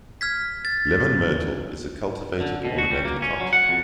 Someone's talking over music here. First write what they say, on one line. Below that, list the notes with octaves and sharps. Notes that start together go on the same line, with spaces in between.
Lemon myrtle is a cultivated ornamental plant.
F6 G#6 B6
A6
D3
B2
F#4
G3
A#3
C#4
F#3
F#5
F2